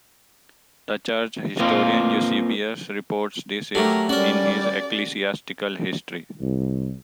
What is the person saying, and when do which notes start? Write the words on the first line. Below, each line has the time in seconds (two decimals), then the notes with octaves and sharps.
The church historian, Eusebius, reports this in his "Ecclesiastical History".
1.59 A#3 C4 F4
3.75 F#3 A3 G4 A4 A#4
4.09 G3 C#4 F#4 A#4 D5
6.40 C2